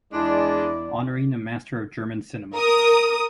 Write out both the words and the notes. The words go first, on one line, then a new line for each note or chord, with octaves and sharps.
Honoring a master of German cinema.
E2 G#3 D4 E4 D5
A#4 D#6